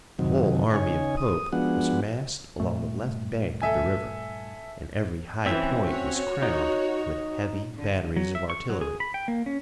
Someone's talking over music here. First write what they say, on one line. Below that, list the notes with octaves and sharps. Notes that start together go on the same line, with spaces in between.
The whole army of Pope was massed along the left bank of the river and every high point was crowned with heavy batteries of artillery.
F#2 C3 D#3 F#3
C#3 D#4 C#5 G#5
D#6
F3 G#3 B3 D4 F#4 F#5
G2 A#2 A3
A4 E5 G#5
E3 C4 C#4 E5
F#4 C#5
D#4
D3
F#3
E5
C#6
F#3
G#4
B5
G5
A#3
C#4